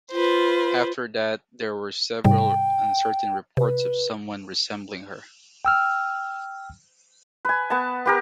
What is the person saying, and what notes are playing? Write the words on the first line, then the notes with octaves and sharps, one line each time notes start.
After that there were several uncertain reports of someone resembling her.
F4 B4 C5
G#2 C3 G3 G5
C3 B4
G5 E6 F6
B4 G#5
B3 A5
B3 G4 A#4